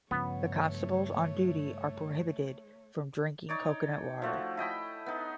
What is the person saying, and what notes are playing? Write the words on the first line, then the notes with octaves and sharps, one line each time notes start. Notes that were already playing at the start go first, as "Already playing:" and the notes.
The constables on duty are prohibited from drinking coconut water.
G2 C#3 F3 A3 B3 C#5
D#4 C#5 D5
F3 A3 F#4
E4 D#5 G5 B5
B3 D#4